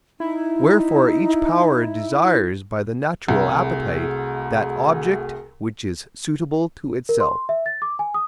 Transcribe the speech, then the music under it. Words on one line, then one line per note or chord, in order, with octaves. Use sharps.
Wherefore each power desires by the natural appetite that object which is suitable to itself.
D#4 E4
C2 A3 F#4 G#4
A#4
C6
E5
A6
D6
G#5
D#6